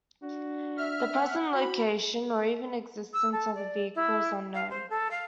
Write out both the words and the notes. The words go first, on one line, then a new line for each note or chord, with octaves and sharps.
The present location, or even existence, of the vehicle is unknown.
D4 F#4
E5 F6
F#5
F#4 B5
E6
A4
D5
E4
F5
C5
A4
F5